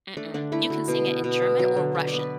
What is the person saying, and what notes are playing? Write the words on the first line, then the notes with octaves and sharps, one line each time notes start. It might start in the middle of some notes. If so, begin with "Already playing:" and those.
Mm-mm, you can sing it in German or Russian,
A3 D4
D3 D4
A3 E4
D3 F#4
B2
B3
B2
B3
F#3
D3
D3
D5
B3
B4